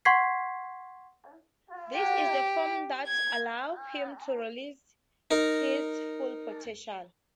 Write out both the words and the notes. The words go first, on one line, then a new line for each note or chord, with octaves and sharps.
This is the form that allows him to release his full potential.
F#5 C6 C#6 G#6 B6 C7
G4
G#6
D#4 A#4